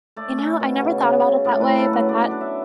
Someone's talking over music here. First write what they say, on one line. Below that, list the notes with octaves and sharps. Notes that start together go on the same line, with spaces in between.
You know, I never thought about it that way, but that
A3 D5
C#4
B2
C#3
C#3
C#3
A2 D5
B4
A3
A4
F#3
B4
B3 D5
D5
D4
E5